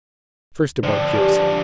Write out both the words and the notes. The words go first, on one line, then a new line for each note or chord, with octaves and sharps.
First about Gypsy.
D3 F3 D4 C5 D5 G5
G4 B4 G#5